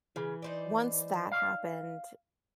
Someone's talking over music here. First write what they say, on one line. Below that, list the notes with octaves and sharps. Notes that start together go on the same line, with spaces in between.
once that happened,
C#3 E3
D#4 C5 D5
F5